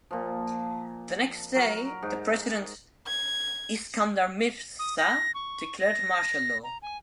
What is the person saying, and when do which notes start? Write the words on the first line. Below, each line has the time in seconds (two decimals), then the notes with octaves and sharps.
The next day, the president Iskandar Mirza declared martial law.
0.11 A#2 F3
1.55 F#3 A#4
2.03 G#2
3.07 G#6
4.79 D#6
4.98 A#6
5.35 C#6
5.80 A#6
6.64 A#5
6.82 G#5